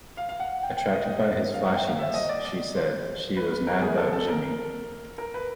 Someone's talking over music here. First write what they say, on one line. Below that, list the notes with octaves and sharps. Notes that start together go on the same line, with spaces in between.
Attracted by his flashiness, she said, she was Mad about Jimmy.
F5
F5
F#5
G5
G5
D#5
D#5
F5
F#5
G5
F5
E5
D#5
D5
D5
C5
B4
B4
A#4
G#4
A4
A4
A#4
A#4
B4